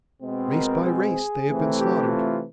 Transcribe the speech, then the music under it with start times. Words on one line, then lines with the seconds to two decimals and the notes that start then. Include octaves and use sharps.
Race by race they have been slaughtered.
0.21 B2 G#3 C4
0.52 A#4
0.83 G#4
1.46 C3 E3 A3 C4
1.78 G4
2.09 F4